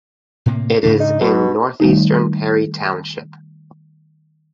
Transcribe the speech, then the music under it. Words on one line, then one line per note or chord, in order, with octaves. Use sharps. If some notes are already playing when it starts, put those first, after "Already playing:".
It is in northeastern Perry Township.
A2 C3 A#3
G#2 C#3 D4
D#4
B2 F#3
D#3 G3 A3 D#4